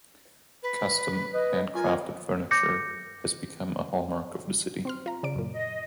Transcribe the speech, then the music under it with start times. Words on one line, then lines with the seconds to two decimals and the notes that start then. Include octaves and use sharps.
Custom hand-crafted furniture has become a hallmark of the city.
0.63 B4
1.32 B4 D#5
1.75 F4 A#4 G#5
2.51 D6 G6 A#6 C#7
4.85 C4 C6 F6
5.06 F4 A#5
5.23 C#3 D5 D7
5.36 F#2 A#2
5.51 D#5